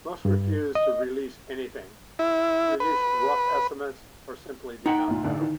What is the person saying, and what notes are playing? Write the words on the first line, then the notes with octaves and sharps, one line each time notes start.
Most refuse to release anything, release rough estimates or simply do not know.
G2
D#5
E4
B4
D#4 F#5 G5
D2 A#2
A1 D3 D4
D#3